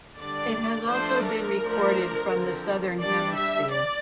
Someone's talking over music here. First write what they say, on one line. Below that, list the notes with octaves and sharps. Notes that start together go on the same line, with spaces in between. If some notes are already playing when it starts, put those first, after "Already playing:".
It has also been recorded from the Southern Hemisphere.
D3 G3 D4 D5
F3 A3 D4 C5
A#4
F3 A3 D4
D3 F3 C4
G3 D4 D5
E5
D5